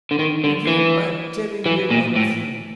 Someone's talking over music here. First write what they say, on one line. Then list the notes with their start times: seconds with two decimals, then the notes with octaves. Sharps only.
Begin by telling me one thing.
0.11 D3
0.19 D#3
0.44 D3
0.67 E3
1.66 E3
1.91 A#2
2.16 A2